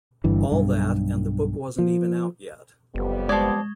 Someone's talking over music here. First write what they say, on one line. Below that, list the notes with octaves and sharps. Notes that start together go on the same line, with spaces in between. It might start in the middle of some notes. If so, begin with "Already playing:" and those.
All that, and the book wasn't even out yet.
G1 G2 E3
B1 G2
F3
F#1 F2 G3 B3
F3 G#3 D5